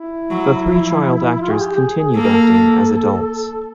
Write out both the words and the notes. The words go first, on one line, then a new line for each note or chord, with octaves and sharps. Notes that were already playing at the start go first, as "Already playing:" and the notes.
The three child actors continued acting as adults.
Already playing: E4
F#3
F3
F4
G#4
G4
G#4
G#4
A#3 A4
A#4
A4